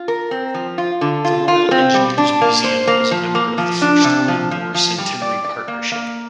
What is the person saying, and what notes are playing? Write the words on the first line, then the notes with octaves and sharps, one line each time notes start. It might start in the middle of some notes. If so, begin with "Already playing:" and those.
The Royal Engineers Museum is a member of the First World War Centenary Partnership.
Already playing: F4
A#4
C4
F3
F4
D3
F4
F4
C4
G3
D4
A#3
C5
A#3
F3
A#3
F3
D4
C3
F3
F3
F3
G3
D5
D5
A#3
A#3